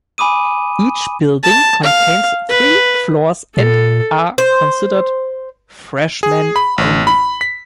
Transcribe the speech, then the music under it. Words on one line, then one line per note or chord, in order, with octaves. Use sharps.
Each building contains three floors and are considered freshmen-only.
G#5 B5 D6 D#6 D#7
A5
F5
B4
A#2 A4
C5
G#4
B5
A1
B5
B6